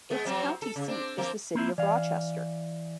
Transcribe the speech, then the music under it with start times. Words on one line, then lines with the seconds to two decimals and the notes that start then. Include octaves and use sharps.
Its county seat is the city of Rochester.
0.10 G#3 B3
0.25 F3 F#3 C4
0.62 A4
0.76 C#3
0.88 C4 D4
1.18 F3 A#3 C4
1.55 A#3 C4 E4
1.78 E3 D5 F5